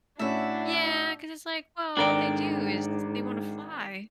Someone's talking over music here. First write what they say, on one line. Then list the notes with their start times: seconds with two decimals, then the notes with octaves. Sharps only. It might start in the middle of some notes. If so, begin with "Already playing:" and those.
Yeah, 'cause it's like, well, what they do is they wanna fly,
0.19 A2 C#4 D4 E4 F#4 E5
1.97 G#1 G#2 D4 A4 A#4 D5 G5